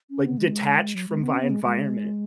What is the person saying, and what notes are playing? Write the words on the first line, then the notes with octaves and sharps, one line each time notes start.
like, detached from my environment.
C#4
B3
G#3
F#3
G#3
B3
C#4
B3
G#3
G#3